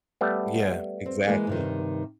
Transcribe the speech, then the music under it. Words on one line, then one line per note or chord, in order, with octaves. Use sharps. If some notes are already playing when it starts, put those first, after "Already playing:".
Yeah. Exactly.
G3 A3 B3
C4
E3 G#3 A#3
G2 C3 D#3